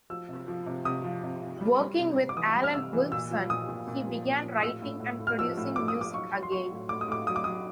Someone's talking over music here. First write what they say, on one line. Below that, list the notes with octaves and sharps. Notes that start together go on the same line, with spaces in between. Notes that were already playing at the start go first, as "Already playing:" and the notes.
Working with Alan Wolfson, he began writing and producing music again.
F3 E6
C3
F3
C3
C3 D#6
F3
C3
C3
G3
G3
C3
C3
D6
E3 D#6
G3
F6
C3 E6
E3
A#2 E6
F3
A#2 D#6
A#2
A#2
F3
A#2
F3
D#6
A2 E6
A2
A2
A2
F6
F3 E6
A2
A2 D6
D#6
F3
D6
F#3 C#6
F#3
C6
F#3 C#6
A2
A2 D6
D#6
A2 D6
F#3 D#6
D6
F#3 D#6